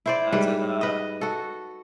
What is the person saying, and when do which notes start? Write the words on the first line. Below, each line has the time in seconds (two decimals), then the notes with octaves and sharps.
Uh, is that, uh
0.06 E4 C5 D5
0.33 G#2 G3 B4
0.81 B4 D#5
1.21 F#4 A4